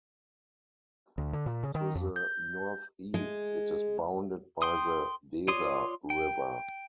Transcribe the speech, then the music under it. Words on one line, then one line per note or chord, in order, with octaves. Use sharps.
To the northeast it is bounded by the Weser river.
D2
D3
A#2
C#3
D#3
F2
G6
G#3
G5 C6 D#6
F4 C#5 D5 C6 D#6
G5